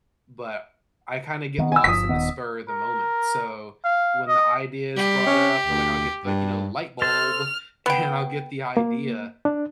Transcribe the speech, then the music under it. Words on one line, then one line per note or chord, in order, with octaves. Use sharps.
But I kinda get lost in the spur of the moment. So, when the idea is brought up, or like I'll get like, you know, light bulb, and I'll get the idea,
D#3 A#3 B3
G#5 E6
G1 F3 D#6 B6
D#1 D#3 B3
A#4
F5
D#5
G3 G4
C#4
D2
G2
A4 C5 A5 F6
B3 G5
A#3
D4